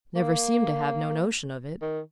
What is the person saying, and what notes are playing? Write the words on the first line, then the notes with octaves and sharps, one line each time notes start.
Never seemed to have no notion of it.
A#3
D#3